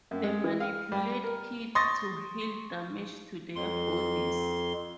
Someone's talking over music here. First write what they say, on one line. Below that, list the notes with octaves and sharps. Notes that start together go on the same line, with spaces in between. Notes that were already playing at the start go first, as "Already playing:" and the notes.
They manipulate ki to heal damage to their bodies.
F#2
G#3
E3
F5
G3
A#4
C6 C#6 D#6 A6 A#6
F2 C6